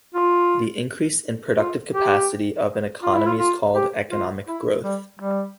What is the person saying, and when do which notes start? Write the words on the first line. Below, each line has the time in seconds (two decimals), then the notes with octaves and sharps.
The increase in productive capacity of an economy is called economic growth.
0.15 F4
1.58 F4
1.94 G4
3.03 F4
3.14 E4
3.26 F4
3.39 F4
3.75 G4
4.11 F4
4.48 E4
4.84 G3
5.19 G3